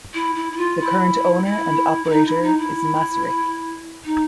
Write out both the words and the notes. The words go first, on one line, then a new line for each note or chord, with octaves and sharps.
The current owner and operator is Macerich.
E4
E4
E4
F4
E4
E4
E4
D#4
E4
D#4
E4
D#4